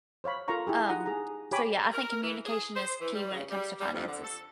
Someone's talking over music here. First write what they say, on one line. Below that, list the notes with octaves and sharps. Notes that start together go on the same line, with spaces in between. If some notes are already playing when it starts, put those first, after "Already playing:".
um, so, yeah, I think communication is key when it comes to finances.
C5 C#5 F5 B5
F4 A4 A#4 F5 A#5 C#6
E4 G4 G#4
D#4 F4 F#5 A#5 D#6
G#4 A#5
G4 G#4 C#5 G#5 B5 D6
A#4
E3
G#4
C5
E3
G3
C#3
G3
G3
F2
D3
A4